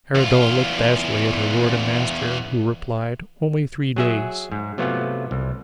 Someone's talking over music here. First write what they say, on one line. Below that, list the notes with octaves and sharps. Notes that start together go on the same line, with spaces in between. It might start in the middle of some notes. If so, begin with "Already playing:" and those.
Arabella looked bashfully at her lord and master, who replied, 'Only three days.'
E2 F4
F#3 G#4 E5
G#2
C3 F#3 A3 B3 F4
C2